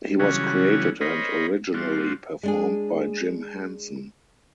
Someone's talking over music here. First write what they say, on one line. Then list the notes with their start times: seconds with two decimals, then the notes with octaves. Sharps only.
He was created and originally performed by Jim Henson.
0.19 C#3 E3 F#3 G3 C#4 F#4
1.01 A#4 C5 C#5 D#5 B5
1.74 G3 C4 F4 F#4
2.43 G#3 D4 G#4